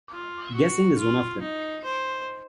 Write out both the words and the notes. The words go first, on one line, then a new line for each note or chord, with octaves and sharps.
Guessing is one of them.
F4
F#4
F4
D#4
C5